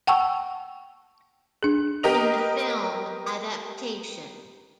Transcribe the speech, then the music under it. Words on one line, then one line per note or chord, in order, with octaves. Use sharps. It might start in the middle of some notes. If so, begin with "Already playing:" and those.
In the film Adaptation.
F#5 G5 A5 C#6 E6
D4 G#4
B3 G4 A#4 D#5 F7